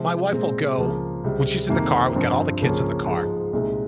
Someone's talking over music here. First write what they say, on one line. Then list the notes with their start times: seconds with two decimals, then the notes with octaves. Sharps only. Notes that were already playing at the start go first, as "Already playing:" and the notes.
my wife will go when she's in the car, we've got all the kids in the car,
Already playing: C3 F3 G#3
0.32 A#2 G#3 C4
0.78 C#2 C#3 F3 A#3
1.24 C#2 C3 G3
1.69 F1 F2 C3 D#3 A#3
2.15 G2 F3 C4
2.62 C#2 C#3 F3 A#3 C#4
3.07 G#2 F3 G#3
3.53 C2 A#2 G#3 D#4